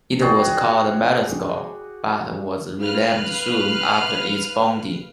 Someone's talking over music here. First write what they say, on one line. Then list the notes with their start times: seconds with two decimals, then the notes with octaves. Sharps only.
It was called Mellenskov, but was renamed soon after its founding.
0.21 F#4 G#4 D5 G5
2.81 B4 F5 F6 F#6